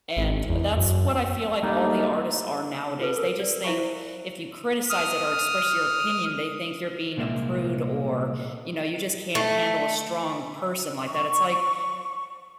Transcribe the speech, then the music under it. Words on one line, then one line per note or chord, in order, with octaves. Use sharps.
and that's what I feel, like, all the artists are nowadays; they just think if you criticize it or express your opinion, they think you're being a prude or, you know, you just can't handle a strong person like that. It's like,
G#1
E2
F#2
G3 A3 A#3 D4 D#4
F4 A4 B4
A#4
D5
E4 C5 E5 F5 B5 C#6
C5
D#6 F6
C2 A#2 G#3 A#3 E5
A3
C#6